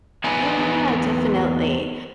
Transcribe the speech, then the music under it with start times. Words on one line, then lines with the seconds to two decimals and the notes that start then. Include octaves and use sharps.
Oh, yeah, definitely.
0.24 E2 D#4 B4 D5 G#5